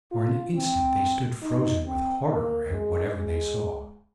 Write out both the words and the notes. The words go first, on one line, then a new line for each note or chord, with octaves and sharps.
For an instant they stood frozen with horror at whatever they saw.
F4
C4
D#4
C4
A#3
G#3
G#3